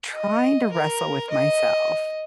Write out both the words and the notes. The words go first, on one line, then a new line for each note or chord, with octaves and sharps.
trying to wrestle with myself
D#5
A#4
D#5